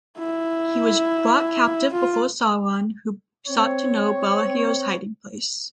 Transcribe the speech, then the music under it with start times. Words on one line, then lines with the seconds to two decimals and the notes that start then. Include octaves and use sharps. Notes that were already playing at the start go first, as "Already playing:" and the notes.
He was brought captive before Sauron, who sought to know Barahir's hiding-place.
0.19 E4
1.93 F4
3.48 C4 C#5